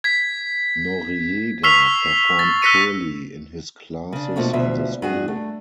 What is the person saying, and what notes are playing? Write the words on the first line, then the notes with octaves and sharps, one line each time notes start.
Noriega performed poorly in his classes in the school.
G#6 B6
C#6 E6 F6 B6 C7 F7
A6
E6 F#6 A#6 B6 C#7 D#7
C#3 D4
B2 F3 A3 A#3 F#4
D2 B2 F3 E5
G2 F#4 G#4
A3